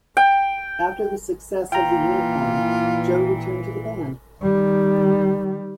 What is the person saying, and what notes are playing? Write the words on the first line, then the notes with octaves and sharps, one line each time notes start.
After the success of "The Unicorn," Joe returned to the band.
G5
A#2 E3 F4 G5 A#5
D#3 G3